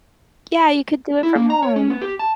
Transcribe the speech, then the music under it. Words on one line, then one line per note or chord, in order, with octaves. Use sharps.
Yeah, you could do it from home.
E4
A#3
A#5
C#5
C#4
B3
G4
A5